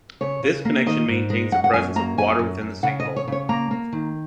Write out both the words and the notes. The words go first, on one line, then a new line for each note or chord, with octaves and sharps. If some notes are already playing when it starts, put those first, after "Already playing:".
This connection maintains the presence of water within the sinkhole.
C#3 C#5
C#3
A#3
D#3 D#5
G#2
G#3
F#2 F#5
F#5
F#2 G#5
A#3 A#5
F#2 G#5
F#2
F#2
C#3 F#5
D#5
C#3
C#5
C#3 C#5
A#3 A#5
A#3
D#3